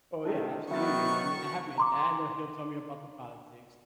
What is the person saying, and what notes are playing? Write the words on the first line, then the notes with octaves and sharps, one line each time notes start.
Oh yeah, absolutely. I mean, I have my dad, l he'll tell me about the politics.
C3 D#3 A3 D4 E4 A4
D#3 F#3 B3 E5 C#6 A6
A#5 C6 D6